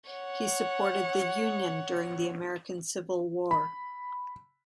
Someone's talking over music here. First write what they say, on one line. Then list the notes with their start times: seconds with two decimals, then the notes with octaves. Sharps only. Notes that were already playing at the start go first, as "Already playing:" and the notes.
He supported the Union during the American Civil War.
0.10 C#5 F#5
3.51 B5